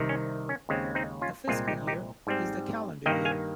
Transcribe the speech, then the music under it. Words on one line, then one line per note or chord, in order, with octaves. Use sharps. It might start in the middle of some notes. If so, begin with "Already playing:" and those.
The fiscal year is the Calendar year.
Already playing: C2 C3 D#3
C#4
C#4
D#2 C#3 G#3 C4
C4 D#4
C#4 F4
C2 A#2 G#3 C4 F4 G#4
D#4 G4
D#4 G4
G#2 G3 C4
G2 D#3 A#3 D#5 G5
F5 G#5